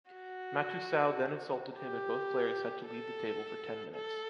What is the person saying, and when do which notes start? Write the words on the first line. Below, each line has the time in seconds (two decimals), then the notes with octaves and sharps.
Matusow then insulted him and both players had to leave the table for ten minutes.
0.11 F#4
1.76 G4
2.86 A4
3.95 A4